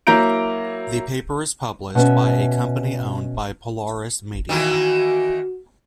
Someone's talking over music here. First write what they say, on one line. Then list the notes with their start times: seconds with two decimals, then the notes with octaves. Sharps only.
The paper is published by a company owned by Polaris Media.
0.07 F#3 A#3 E4 A#5 G6 D7
1.95 B2 C#4 E5
4.49 D#3 E3 A#3 F#4